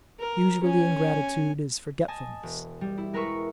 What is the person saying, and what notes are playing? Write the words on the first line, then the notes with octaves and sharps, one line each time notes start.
Usually, ingratitude is forgetfulness.
A#4
C#4 G#5
D#5 G#5 A5
E1
G3
E4
G#3 A#4 B4 E5 C#6 B6